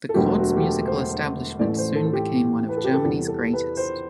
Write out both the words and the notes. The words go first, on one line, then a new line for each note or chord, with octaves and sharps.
The court's musical establishment soon became one of Germany's greatest.
A4
E1 D2 D3 F#3 G4
F#4
G4
A4
C5
A1 A2 E3 A3 D5
C5
A4
A4
G4
B4
A4
G4
A4
E2 C3 G3 A4
A4
B4
C5